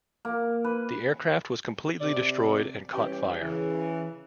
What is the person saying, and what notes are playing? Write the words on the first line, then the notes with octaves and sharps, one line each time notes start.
The aircraft was completely destroyed and caught fire.
A#3
B4
C3 D5
E3 G3 C#4 G4
C#3 E3